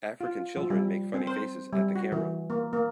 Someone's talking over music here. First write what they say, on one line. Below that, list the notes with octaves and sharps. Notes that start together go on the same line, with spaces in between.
African children make funny faces at the camera.
F4
F3
G3
C4
C5
G3
F#4
E3
A#3
A#3